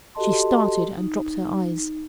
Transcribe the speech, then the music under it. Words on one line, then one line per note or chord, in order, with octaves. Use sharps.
She started and dropped her eyes.
F#4 G4 A4 D#5 A5 C6
D#4